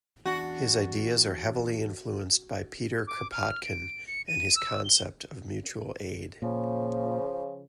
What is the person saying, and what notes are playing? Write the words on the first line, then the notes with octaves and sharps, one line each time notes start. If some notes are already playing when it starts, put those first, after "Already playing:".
His ideas are heavily influenced by Peter Kropotkin and his concept of Mutual Aid.
E2 D4 F#4
D6
F6
D7
C#7
D#7
E6
G7
A#2 C#3 F3